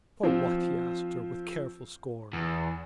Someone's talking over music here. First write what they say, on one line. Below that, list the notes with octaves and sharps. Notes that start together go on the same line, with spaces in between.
For what, he asked her, with careful scorn.
F3 C4
E2